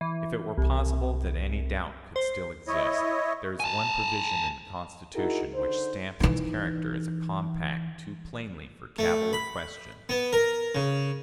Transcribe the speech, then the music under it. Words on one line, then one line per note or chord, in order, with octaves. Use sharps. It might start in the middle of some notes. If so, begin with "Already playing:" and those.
If it were possible that any doubt could still exist, there is one provision in the Constitution which stamps its character as a compact too plainly for cavil or question.
E3
C2
C5
E4 C#5 D#5
G#5 A5
D#4 E4 F#4 G#4 A#4
D3 D#4 C5
E3 D#4
A3
B5
B3
A#4
C#3